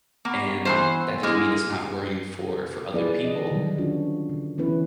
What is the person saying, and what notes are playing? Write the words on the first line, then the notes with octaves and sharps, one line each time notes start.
And that doesn't mean it's not worrying for for other people,
A#3 B3 F#5 C#6
E3 F#3 C5
G#3 A#3 E4
F3 B3 E4 G#4 B4 D5
D#5
D3 D#3 F#3 G3
C#4 D4 F4 F#4
D3
E3 B3 C#4 E4 B4